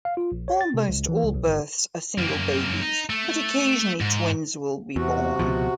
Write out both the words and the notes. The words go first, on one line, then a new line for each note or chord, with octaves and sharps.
Almost all births are single babies but occasionally twins will be born.
F5
F4
A#1
C#5
A6
C3
C#2
E3
C#2
B1
G1
F#2 A#3
D#4
A3
G#2
E2 C3 F#4
C#2 B2 F3